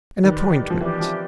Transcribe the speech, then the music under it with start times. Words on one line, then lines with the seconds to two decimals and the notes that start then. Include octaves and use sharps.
"An appointment."
0.23 D#3 G4 B4 D5
0.70 F3
0.81 E3 G4 B4 D5
1.00 F3